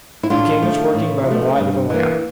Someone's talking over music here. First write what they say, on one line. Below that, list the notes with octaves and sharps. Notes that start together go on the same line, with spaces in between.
The king was working by the light of a lamp.
E4
A2 D4 F4
F3 A3
A2
F3
A3
G2
E3 A#3